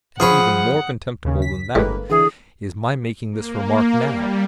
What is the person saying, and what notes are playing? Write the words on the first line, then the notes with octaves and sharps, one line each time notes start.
And even more contemptible than that is my making this remark now.
F3 G#4 C#5 F#5 B5 D#6
D#2 C#3 C#4
B6
G1 A2 G3 G#3 A#3 B4
D3 E3 G#4
A#3
G3